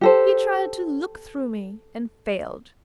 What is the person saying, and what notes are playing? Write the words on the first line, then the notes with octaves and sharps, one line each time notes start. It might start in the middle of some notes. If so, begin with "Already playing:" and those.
He tried to look through me, and failed.
G4 A4 C5